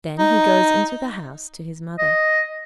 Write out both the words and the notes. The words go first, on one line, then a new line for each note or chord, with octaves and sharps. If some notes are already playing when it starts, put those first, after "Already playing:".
Then he goes into the house to his Mother.
D#4
D#5